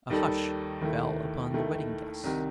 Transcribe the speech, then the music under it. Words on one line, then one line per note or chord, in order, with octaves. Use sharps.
A hush fell upon the wedding guests.
D#2 D#3 G3 D#4 A4
D#2 D#3 A3 E4
D#2 D#3 A3 E4
C2 C3 D#3